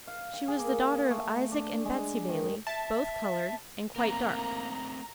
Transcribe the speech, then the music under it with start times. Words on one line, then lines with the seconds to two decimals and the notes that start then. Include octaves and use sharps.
She was the daughter of Isaac and Betsey Bailey, both colored, and quite dark.
0.08 F5
0.33 G5
0.48 G#4
0.59 A#3
1.10 A3
1.52 D4
1.85 G#3
2.28 D#3
2.67 E5 A5
3.96 A3 A#3 C4 A#4 A#5